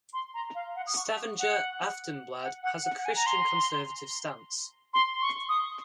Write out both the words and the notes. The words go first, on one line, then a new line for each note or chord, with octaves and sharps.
"Stavanger Aftenblad" has a Christian-conservative stance.
C6
A#5
F5
F#5
D#6
C#6
F#5
F#5
F#5
F#5
F#5
G#5
A#5
C6
C6
C#6
D#6